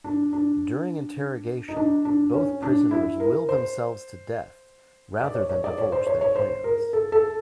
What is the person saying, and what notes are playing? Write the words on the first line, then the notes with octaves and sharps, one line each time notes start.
During interrogation, both prisoners will themselves to death rather than divulge their plans.
D4
D4
D#4
D4
D4
C#4
D4
E4
A#4
C5
D5
C#5
C#5
D5
C#5
C5
C#5
C#5
C5
A#4
A4
A4